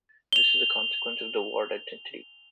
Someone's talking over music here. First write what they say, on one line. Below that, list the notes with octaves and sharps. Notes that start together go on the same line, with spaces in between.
This is a consequence of the Ward identity.
F7 G7